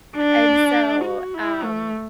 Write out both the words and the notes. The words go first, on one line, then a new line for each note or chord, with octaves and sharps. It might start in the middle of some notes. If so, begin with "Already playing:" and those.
And so, um,
D4
F#4
E4
A3